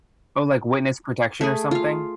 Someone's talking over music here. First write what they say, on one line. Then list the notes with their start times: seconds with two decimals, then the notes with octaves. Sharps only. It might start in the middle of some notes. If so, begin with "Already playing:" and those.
Oh, like witness protection or something?
1.41 A3 G#4
1.71 F4 F5